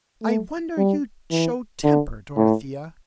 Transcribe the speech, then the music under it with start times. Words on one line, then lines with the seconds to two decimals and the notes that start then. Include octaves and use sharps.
"I wonder you show temper, Dorothea."
0.23 A3
0.77 G3
1.31 E3
1.84 D3
2.37 A2